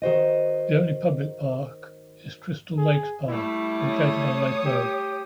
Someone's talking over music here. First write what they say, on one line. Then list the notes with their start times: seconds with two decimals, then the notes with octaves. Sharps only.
The only public park is Crystal Lakes Park located on Lake Road.
0.02 D#3 F#4 C5 D#5
2.77 G#4
3.29 G3 A3 E4
3.83 C#5 D#6
4.66 G4